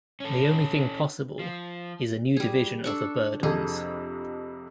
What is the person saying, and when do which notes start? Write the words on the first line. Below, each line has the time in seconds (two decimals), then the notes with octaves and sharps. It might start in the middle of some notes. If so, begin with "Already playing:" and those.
The only thing possible is a new division of the burdens.
0.20 C#4 A4
1.39 F3
2.37 G3 G#4
2.84 D4 A4 C#6
3.43 F2 C3 G#4 A4